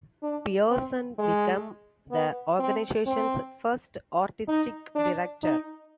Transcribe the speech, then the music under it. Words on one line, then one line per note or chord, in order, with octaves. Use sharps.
Pearson became the organisation's first artistic director.
D4
C4
G#3
B3
C4
C4
D#4
D4
D#4